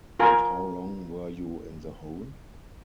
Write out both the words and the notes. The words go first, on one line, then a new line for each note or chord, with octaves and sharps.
And how long were you in the hole?
F4 A#4 G#5